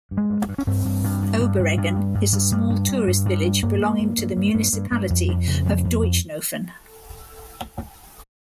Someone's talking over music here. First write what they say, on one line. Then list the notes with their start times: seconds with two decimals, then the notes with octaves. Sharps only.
Obereggen is a small tourist village belonging to the municipality of Deutschnofen.
0.11 G2
0.17 G#3
0.30 G2
0.42 A#3
0.49 G2
0.58 C#4
0.67 G2 C4
0.85 G2
1.04 G2
1.22 G2
1.40 G2
1.59 G2
1.77 G2
1.96 G2
2.15 G2
2.33 G2
2.52 G2
2.70 G2
2.88 G2
3.07 G2
3.26 G2
3.44 G2
3.63 G2 A#3
3.81 G2
3.99 G2
4.18 G2
4.37 G2
4.55 G2
4.73 G2
4.91 G2
5.10 F2
5.28 F2
5.47 C#3
5.66 F2
5.84 F2
6.03 F2